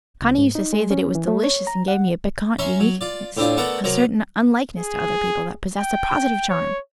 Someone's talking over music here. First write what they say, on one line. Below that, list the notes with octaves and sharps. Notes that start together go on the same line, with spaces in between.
Connie used to say that it was delicious and gave me a piquant uniqueness--a certain unlikeness to other people that possessed a positive charm.
C#2
G#2
D#4
G#3
C#4
E3
A3
C#5
A#5
F#5
C#4 E5 A#5 C6
F#3
F4 D5
A2 C4 D4 F4
A3 B3 A4 A#4 D5 F#5
C3 F#3 A#4 A#5
G#4
G5
C#5